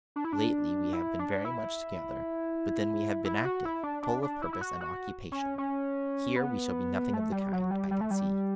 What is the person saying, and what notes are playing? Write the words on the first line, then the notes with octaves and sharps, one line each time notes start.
Lately we have been very much together, but then we have been active, full of purpose and occupation: here we shall be nothing of the kind, I can see.
D4
E4
D4
E4
D4
E4
E4
F#4
E4
D4
D4
D4
E4
E4
F#4
F#4
C#4
C#4
B3
A3
G3
F#3
G3
G3
A3
G3